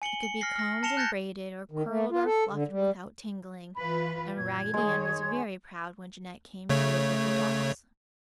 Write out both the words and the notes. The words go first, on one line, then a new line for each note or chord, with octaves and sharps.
It could be combed and braided, or curled or fluffed without tangling, and Raggedy Ann was very proud when Jeanette came to live with the dolls.
G#5 C#7 F#7 G7
C#7
F6 A#6 C7
F6 A#6
A5 A#6 C#7 E7 F7 G7
F#6 G6 A6 A#6 C#7
D#3
A3
F4
A4
D3
G3
E3 F4 B4 B5
F#2 A#2 G#6
D#3 G#3 G#4 C#5
C#3 A3 C#5